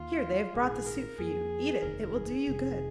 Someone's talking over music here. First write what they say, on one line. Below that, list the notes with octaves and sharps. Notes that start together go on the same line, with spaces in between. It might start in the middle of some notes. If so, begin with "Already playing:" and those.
Here they have brought the soup for you, eat it, it will do you good.
Already playing: D#2 D#3 A#3 F4
A#1 G#2 D#3 G#4
A#4
F2 F3 A#3 G#4
F1 D#2 D#3 A#4
G#4
F1 F2 C3 D#3